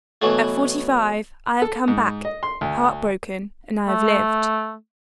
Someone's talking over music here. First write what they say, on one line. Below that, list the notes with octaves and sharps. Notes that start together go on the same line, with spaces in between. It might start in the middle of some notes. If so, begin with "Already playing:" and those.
At forty-five, I have come back, heart-broken, and I have lived.
B2 E3 F#3 A3
A4
G#2
D#5
C6
D2
A3